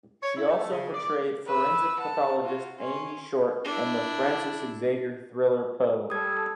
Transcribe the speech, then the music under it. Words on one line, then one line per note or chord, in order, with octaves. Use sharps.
She also portrayed forensic pathologist Amy Short in the Francis Xavier thriller Poe.
C#5
E4
A3
C#3
D5
B4 E6
F#5 A5
F4 F#4
C#4 C6
D4 E4
G3 A4 D#6 G#6